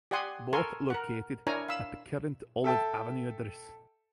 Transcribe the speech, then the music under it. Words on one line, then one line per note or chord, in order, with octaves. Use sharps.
Both located at the current Olive Avenue address.
G4 D5 F#5 G#5 C6 D#6
A4 A#4 G#5 C6 C#6
A#4 F#5
D4 E4 A#4 C#5 G#5 A#5
F5 B5 E6
A4 E5 G5 A5